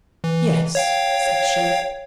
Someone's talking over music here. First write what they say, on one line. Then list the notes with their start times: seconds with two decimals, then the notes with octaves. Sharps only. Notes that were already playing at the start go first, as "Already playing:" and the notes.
"Yes," said she.
0.24 E3
0.75 C#5 F5 G5